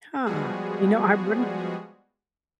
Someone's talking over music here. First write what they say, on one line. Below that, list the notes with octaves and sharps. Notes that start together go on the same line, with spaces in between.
Huh, you know, I wouldn't
F3 G3 G#3 B3 F#4 G#4